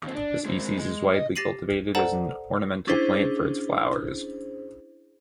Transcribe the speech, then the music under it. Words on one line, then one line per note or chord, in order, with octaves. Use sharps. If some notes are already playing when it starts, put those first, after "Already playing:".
The species is widely cultivated as an ornamental plant for its flowers.
D#2 C4
D4
G#3 C4
G#3
D#5
G4 A6 A#6 C7 D#7 F#7
A4 C5 D5 F#5 A5 A#5
C#4 D4 E4 G#4 C5